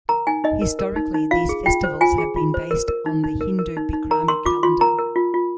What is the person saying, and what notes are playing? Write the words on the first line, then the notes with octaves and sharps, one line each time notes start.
Historically, these festivals have been based on the Hindu Bikrami calendar.
A#4 A#5
D#4 G#5
D#4 D#5
A#4
A#4
D#4
D#4
F4 F5
G#4
F4 G5
C5
F4 G#5
G#4
F4
C5
A#4
A#4
D#4
D#4
A#4
A#4
D#4
D#4
A#4 A#5
A#4 C6
F4 D6
F4 C6
A#4 A#5
A#4
F4
F4